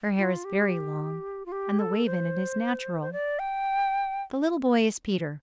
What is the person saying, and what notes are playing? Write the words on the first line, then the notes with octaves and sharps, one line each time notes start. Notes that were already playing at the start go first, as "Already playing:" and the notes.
Her hair is very long, and the wave in it is natural. The little boy is Peter.
F4
G4
F4
G4
A4
C5
C5
D5
G5